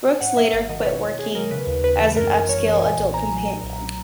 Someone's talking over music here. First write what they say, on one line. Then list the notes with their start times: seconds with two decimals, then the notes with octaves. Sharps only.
Brooks later quit working as an upscale adult companion.
0.21 G#2 F#5
0.37 F#3 E5
0.53 G#1 E5
0.69 D#3 D#5
0.82 B4
0.85 B2 C#5
1.03 E2
1.18 E2 G#4
1.35 F#3 A#4
1.51 C#3 B4
1.67 D#2
1.84 D#2 B4
2.01 E3
2.16 F#2 A#4
2.33 G#1
2.49 G#1 C#5
2.66 E3
2.82 A#2 G#5
2.98 B1
3.14 B1 A#5
3.31 F#3
3.48 A#2
3.64 B1